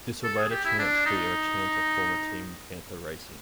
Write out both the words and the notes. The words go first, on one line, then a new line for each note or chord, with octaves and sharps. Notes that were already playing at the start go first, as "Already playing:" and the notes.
This would later turn out to be a return to former team Panther Racing.
A4
G#4
G4
E4
D4
D#4